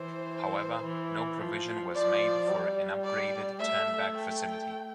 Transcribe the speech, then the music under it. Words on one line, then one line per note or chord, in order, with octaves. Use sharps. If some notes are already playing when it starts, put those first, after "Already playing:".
However no provision was made for an upgraded turnback facility.
Already playing: E3 C5
E3
F3
F3 D5
G3
D5
A3 E5
G5